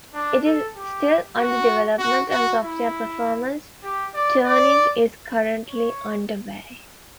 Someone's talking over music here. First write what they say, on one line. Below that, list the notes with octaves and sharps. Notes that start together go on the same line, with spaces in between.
It is still under development and software performance tuning is currently underway.
D4
A4
G4
F#4
F#4
F#4
E4
G4
D5
D5
C#5